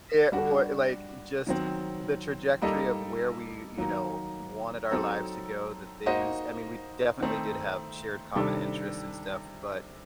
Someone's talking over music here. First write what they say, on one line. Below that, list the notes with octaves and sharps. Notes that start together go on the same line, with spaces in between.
it wa like, just, the trajectory of where we, you know, wanted our lives to go, the things I mean, we definitely did have shared common interests and stuff, but
G3 D4 F#4
D#3 F#3 C4
G3 A#3 D#4 A4 D#5
D#3 F#3 A#3 D#4
F#3 C4 D#4 A4
A#3 D#4 F#4 C5 D#5
D#3 A3 C4 D#4
C3 D#3 G3 D4 A4